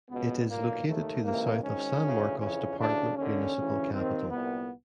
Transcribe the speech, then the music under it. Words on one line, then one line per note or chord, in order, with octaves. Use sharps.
It is located to the south of San Marcos Department municipal capital.
C#2 B2 B3
B1 A#2 A#3
D#2 D#3 A3
C#2 C3 E3 A#3
G#1 G#2 D#3 C#4
D2 C#3 E3
F2 C#3 E3 C#4
D2 C#3 E3 D4
D#2 D3 C#4
D2 C#3 E3
D#2 D#3 C4
C2 A#2 B3